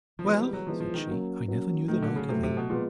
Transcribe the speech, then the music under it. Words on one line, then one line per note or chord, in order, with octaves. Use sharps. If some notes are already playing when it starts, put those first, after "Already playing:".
Well, said she, I never knew the like of thee.
F3
E3 F#3 G#3 B3
G3
F#3
E3 F3 G#3 B3
F3
D#3
F#3 A#3 C#4
F#3 A#3 C#4
A2 D#3 F#3 A3
D3
C#3
A2 C3 F#3 A3
C3
B2
A#2 F3 G#3 B3